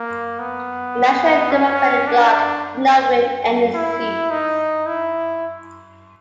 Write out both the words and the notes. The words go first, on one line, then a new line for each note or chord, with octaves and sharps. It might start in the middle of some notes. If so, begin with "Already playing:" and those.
The National Democratic Block did not win any seats.
Already playing: A#3
B3
C#4
D4
E4
D#4
E4